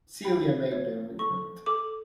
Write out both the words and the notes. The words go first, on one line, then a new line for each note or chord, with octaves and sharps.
Celia made no movement.
G5 B5
C#5
A4 C#6
A4 D6